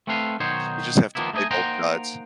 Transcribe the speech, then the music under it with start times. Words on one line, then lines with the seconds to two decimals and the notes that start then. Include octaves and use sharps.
you just have to play both sides.
0.07 A3 C4 A4 B4 F5
0.40 B1 D#3 D#4 F#4 C5 C#5
1.15 D#3 F3 A#3 B3 E4
1.33 A3 D#4 E4 D#5 G#5
1.51 A#3 D#4 C5 F#5 G5 A#5